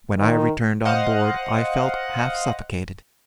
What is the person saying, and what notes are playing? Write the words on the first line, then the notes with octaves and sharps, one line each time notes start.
When I returned on board, I felt half suffocated.
D#3
C5 D#5 F5 F#5